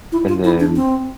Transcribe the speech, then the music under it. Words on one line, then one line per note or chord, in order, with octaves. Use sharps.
And then
E4
F4
E4
D4
C4